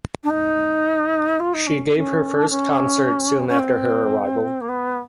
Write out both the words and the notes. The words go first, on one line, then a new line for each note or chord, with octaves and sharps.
She gave her first concert soon after her arrival.
D4
D#4
F4
D#4
C#4
C#4
D4
C#4
C#4
C4
A#3
B3